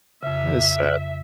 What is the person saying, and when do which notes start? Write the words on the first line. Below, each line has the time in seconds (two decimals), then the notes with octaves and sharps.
That is sad.
0.23 F2 C#3 E5